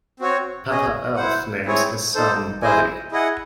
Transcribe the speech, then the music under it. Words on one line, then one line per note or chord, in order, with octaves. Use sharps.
Papa Elf names his son Buddy.
C4 F#4 C#5
C#4 G#4 D#5
E4 C5 F#5
C4 E4 G#4 C#5
D#4 A4 C5
E4 G#4 C5 D#5 G#5
E4 G#4 D#5 F#5